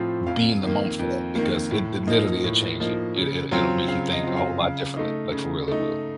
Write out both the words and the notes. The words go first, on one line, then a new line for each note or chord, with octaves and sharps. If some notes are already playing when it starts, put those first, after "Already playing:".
be in the moment for that, because it it literally it'll change you, it it it'll make you think a whole lot differently, like for real it will.
Already playing: A2 F3 C4 F4
F2 F5
D#3 A#3
F2
D#3 A#3
A2
F3 A#3 D#4
A2
F3 A#3 D#4
C#3
F#3 C4 F4
C#3 F5
D#5
F#3 C4 F4
F5
C#3 F5
A3 D#4
C#3
A3 D#4